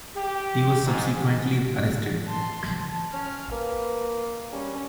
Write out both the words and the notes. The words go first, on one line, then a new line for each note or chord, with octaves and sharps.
He was subsequently arrested.
G4
G#2
A5 C6
A5
C#4 F6
A#3 B4
G3 C#4